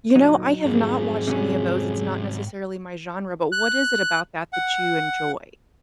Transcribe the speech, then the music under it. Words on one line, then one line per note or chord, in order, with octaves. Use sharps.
You know, I have not watched any of those. It's not necessarily my genre, but what is it about that that you enjoy?
G1 A#2 F#3 D#4
F2 G#2 C4 G#4
C3 F#3 C#4
F#6
F#5